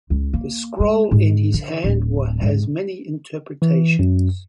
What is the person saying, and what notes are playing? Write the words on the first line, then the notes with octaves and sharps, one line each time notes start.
The scroll in his hand has many interpretations.
C#2
A#3
G#3
G#2
D3
D1
G#2
E3
F#2